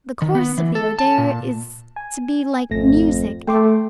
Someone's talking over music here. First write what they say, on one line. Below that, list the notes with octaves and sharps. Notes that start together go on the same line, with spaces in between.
The course of the Oder is to be like music.
D#3
B3
E3
A4
A5
A#2
G#5
G#1 F2 A3 A#6
A3 G5 C6 D6